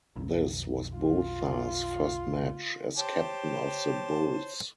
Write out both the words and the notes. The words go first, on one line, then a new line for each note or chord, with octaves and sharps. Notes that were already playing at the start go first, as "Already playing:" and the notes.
This was Botha's first match as captain of the Bulls.
B1 F2 D#3
F4
G4 C5 C#5 A5